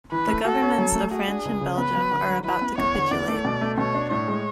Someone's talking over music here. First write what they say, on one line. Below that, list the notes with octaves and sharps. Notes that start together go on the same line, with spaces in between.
The governments of France and Belgium are about to capitulate.
E3 B4
A3
F#4 A4
C#4
F#3
A3
F#4 G#4
D4
C#2
C#3
B3 B4
F#3
D3
F#3
E4 B4
B3
E2 C#5
D3
E2 D5
A3
B2
A3
B2 C#5
D4
A2 C#5
G#3